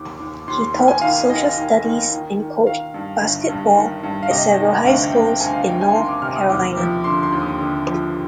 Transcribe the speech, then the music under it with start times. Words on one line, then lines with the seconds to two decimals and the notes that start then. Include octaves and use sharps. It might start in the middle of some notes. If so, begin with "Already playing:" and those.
He taught social studies and coached basketball at several high schools in North Carolina.
Already playing: D#2 D6
0.20 D#2
0.48 D#2 C6
0.61 C6
0.74 D#3 B5
0.88 G#5
1.02 D#3 F5
1.29 D#3 D#5
1.57 D#3
1.84 D#3
2.12 D#3
2.39 D#3
2.66 D#3 F5
2.94 G2
3.21 G1
3.49 G2
3.75 D#3
4.03 G2
4.23 F5
4.31 C3 D#5
4.58 D#3
4.85 D2 F5
4.99 G5
5.12 D2 G5
5.27 G5
5.40 D2 G#5
5.53 F5
5.67 D2 G5
5.81 G#5
5.94 D#3 C6
6.09 D6
6.22 C3 F6
6.36 D#6
6.50 D#2 D6
6.77 F3
7.04 D3 C6
7.23 C6
7.32 D#2
7.42 D#6
7.60 D3
7.87 F3